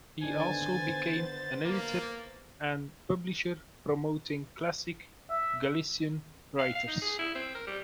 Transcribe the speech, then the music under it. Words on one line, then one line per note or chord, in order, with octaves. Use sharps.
He also became an editor and publisher, promoting classic Galician writers.
D3 D#3 B3 D4 C5 G#5 A6
A#3
E5
F5
F5
D#4
G#4
E4
C4
A#4
G3